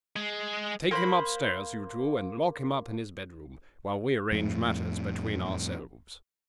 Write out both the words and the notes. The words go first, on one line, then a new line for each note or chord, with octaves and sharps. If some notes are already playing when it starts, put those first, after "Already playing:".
Take him upstairs, you two, and lock him up in his bedroom, while we arrange matters between ourselves.'
G#3
A#3 C5 G5 B5
F2 A2